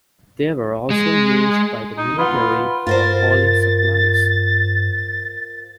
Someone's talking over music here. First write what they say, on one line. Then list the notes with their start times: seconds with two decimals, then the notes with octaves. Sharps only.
They were also used by the military for hauling supplies.
0.90 G#3
1.97 D#4
2.18 F4 B4 F#5
2.87 G2 F4 A#4 C5 A6